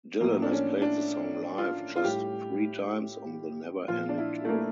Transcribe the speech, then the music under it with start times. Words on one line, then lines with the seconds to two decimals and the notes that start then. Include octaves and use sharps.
Dylan has played the song live just three times on the Never Ending Tour.
0.21 A2 F3 A#3
0.42 D4
0.51 C#4
0.82 D4
1.58 F4
1.96 F4
2.04 A2 G3 G4
3.88 A#2 F3 F4
4.09 D4
4.18 E4
4.45 A3
4.49 A#3